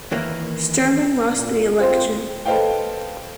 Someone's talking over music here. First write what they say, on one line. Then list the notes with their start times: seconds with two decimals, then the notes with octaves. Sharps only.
Sterling lost the election.
0.11 D#2 E3 A#3
1.33 A#2
1.78 C4 F4 C5
2.45 A4 B4 C5 D#5 F5 G5